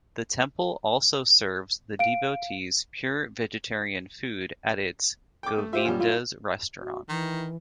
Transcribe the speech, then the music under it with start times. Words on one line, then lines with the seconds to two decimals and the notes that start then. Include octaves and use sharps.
The temple also serves the devotees pure vegetarian food at its 'Govindas' restaurant.
1.99 F5 D7
5.43 G5 D6
5.58 A3
5.73 F4 G4 C5 E5
5.85 F#2 F3 G3
6.00 E4 F4
6.80 F#4
7.09 D#3 E3